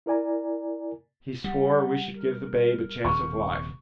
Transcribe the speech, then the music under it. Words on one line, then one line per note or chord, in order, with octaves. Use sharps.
He swore we should give the babe a chance of life.
E4 A#4 D5 G#5 A#5
G3 F#5
A#4
D#1 C3 C#6